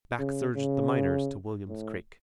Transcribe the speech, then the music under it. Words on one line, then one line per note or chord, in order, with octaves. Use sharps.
Back surged the miners to William's Creek.
C#3
C#3
A2